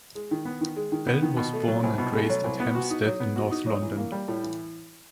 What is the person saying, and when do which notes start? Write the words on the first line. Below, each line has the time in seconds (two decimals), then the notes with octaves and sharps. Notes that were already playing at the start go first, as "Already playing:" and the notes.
Bell was born and raised at Hampstead in north London.
0.15 G#3
0.31 D#3
0.45 B3
0.61 D#3
0.76 G#3
0.92 D#3
1.07 B3
1.22 D#3
1.37 B2
1.53 A3
1.68 F#3
1.83 C2
1.98 B2
2.14 A3
2.29 F#3
2.44 C2
2.60 B3
2.75 F#4
2.90 D#4
3.06 F#3
3.20 B3
3.36 F#4
3.51 D#4
3.66 F#3
3.82 E3
3.97 A#3
4.12 G3
4.28 A2
4.43 E3